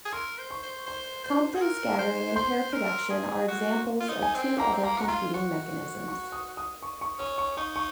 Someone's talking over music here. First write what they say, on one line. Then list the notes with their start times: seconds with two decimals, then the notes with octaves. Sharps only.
Compton scattering and pair production are examples of two other competing mechanisms.
0.05 G#4
0.13 A#4 C6
0.38 C5
0.51 C#6
0.63 C5
0.87 C5 C6
1.24 C5
1.54 G#4
1.61 A#4
1.99 C5
2.36 C5 C6
2.73 A#4
3.10 G#4
3.48 F#4
4.00 F4
4.09 D#4
4.22 G#5
4.34 C4
4.58 A#3 A#5
4.74 C4
4.83 A#3 A#5
4.99 F#4 A#5
5.08 F4 C6
5.34 F#4 C#6
6.08 C#6
6.32 D#6
6.57 D#6
6.82 C#6
7.01 C#6
7.19 C#4 C#6
7.38 C#6
7.57 D#4 C#6
7.76 C#6